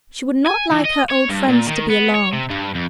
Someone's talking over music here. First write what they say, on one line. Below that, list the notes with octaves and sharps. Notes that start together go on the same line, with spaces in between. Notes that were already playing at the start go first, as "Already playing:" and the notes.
She would not like her old friends to be alarmed.
G#5
E3
D#5
C#5
G2
A#2
D#3
B3
C#5
C3
G2
F2